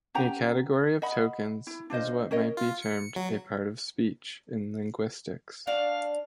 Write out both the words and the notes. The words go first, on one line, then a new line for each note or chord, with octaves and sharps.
A category of tokens is what might be termed a part-of-speech in linguistics.
C#4 G4 F#5 A#5
D#5 F#5 B5
E4
D4 F4 C5 D#5
C#4 A#4 C#5 D#5
F4
C#7
F#3
D4 F#4 D5 F5